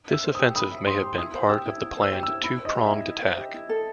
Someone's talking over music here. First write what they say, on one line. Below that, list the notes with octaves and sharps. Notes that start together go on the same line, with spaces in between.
This offensive may have been part of the planned two-pronged attack.
E5 E6
C5
D#6
G4
B5 D#6
E5
C5 C6
G4
E4 D#6
C5
G4 E6
E4
E4
C5 E6
G4
E6
E4
E4 B5
C5
D#5
G4
E4 E5
E4
C5
G4
E4
A4